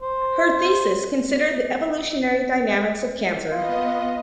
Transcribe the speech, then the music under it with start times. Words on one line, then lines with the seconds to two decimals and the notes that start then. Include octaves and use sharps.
Her thesis considered the evolutionary dynamics of cancer.
0.02 C5
3.52 B3 F4 D#5